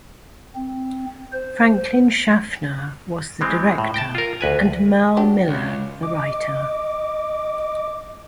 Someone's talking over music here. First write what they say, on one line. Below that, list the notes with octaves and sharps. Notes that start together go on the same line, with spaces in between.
Franklin Schaffner was the director and Merle Miller the writer.
C4
C5
E3 G#3 C4
A2
G5 A5
F4 A#4
D2 B4 G#5
F#3 D4 G4
C#2
D#5 D6